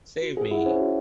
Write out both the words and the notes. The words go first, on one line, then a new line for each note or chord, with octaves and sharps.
Save me!
F#4
F#4 G#4
E4 F#5
C#4 C5
F#4